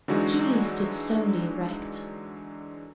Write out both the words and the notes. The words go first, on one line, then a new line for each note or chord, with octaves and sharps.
Julie stood stonily erect.
D3 E3 F#3 G#3 D#4 F#4